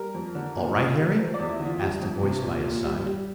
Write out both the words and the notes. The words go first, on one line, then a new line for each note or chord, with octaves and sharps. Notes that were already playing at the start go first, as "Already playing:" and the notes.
"All right, Harry?" asked a voice by his side.
Already playing: G3 A#4
F2
D3
A#2
A#2
G3
F3
D5
E2
E4
D3
F4
G3
F2
C3
A#2
A#2
G3
G3